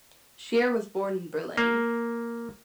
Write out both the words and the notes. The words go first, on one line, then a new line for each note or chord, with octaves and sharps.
Scheer was born in Berlin.
A#3